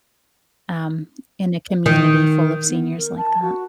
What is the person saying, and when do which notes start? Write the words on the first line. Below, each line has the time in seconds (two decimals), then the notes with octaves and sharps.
um, in a community full of seniors like that.
1.86 D#3
2.68 B3
2.97 A#4
3.17 A5
3.42 F#4